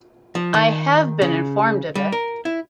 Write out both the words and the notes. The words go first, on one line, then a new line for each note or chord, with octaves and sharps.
I have been informed of it.
F3
D#3
C#3
G3
A#4
E4